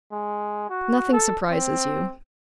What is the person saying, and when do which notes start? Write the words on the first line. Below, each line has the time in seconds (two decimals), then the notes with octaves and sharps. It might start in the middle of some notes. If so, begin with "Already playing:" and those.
Nothing surprises you.
0.11 G#3
0.69 F#4
1.12 A4
1.50 C4